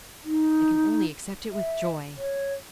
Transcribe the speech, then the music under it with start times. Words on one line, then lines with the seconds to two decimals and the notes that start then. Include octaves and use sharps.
I can only accept it with joy.'
0.25 D#4
1.52 E5
2.17 C#5